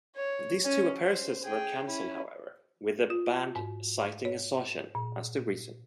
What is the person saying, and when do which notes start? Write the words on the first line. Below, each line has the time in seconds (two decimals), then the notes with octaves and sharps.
These two appearances were cancelled, however, with the band citing exhaustion as the reason.
0.16 C#5
0.65 C#4
1.01 C5
1.44 G#4 G5
1.84 C#4 E4
3.10 F4
3.56 G#2
4.25 C#5
4.95 A#2